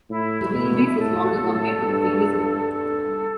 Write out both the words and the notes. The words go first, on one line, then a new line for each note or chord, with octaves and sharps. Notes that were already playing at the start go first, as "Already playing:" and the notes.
The wheelbase is longer compared to the previous model.
A2 E4
B2 E4
A2 A4
A2
G2
A4